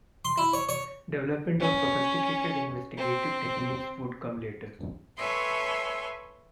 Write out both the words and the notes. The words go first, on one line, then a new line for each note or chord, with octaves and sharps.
Development of sophisticated investigative techniques would come later.
C6
E4
C#5
C#5
C#4
C4
A4 B4 C#5 E5 G#5 C6